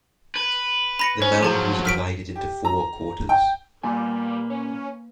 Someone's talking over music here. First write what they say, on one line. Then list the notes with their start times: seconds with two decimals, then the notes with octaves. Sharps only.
The mound was divided into four quarters.
0.36 B4
0.99 B5 A#6 C#7
1.22 C#4 C5
1.43 F3 F#3 G#4 A5 A#5
1.85 F6 B6 D7
2.36 G4
2.65 A#5
3.29 G5
3.83 A#2 G3 A#3 B4 G#5
4.50 C#4